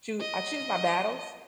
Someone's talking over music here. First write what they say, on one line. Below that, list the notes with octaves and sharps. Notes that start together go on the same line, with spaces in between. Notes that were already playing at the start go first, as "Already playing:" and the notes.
choo I choose my battles.
D#5